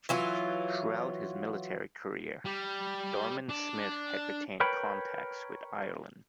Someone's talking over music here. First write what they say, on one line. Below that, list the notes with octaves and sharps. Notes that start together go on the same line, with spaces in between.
Throughout his military career, Dorman-Smith had retained contacts with Ireland.
E3 F#3 F4
G3
D4
A#4 B4 C#5 G5 B5